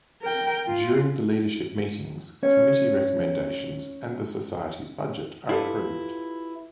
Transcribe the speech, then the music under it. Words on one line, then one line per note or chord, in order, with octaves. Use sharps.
During the Leadership Meetings committee recommendations and the society's budget are approved.
A#4 G5
F4
C#4 C#5
E4 F4 G4 A4 B4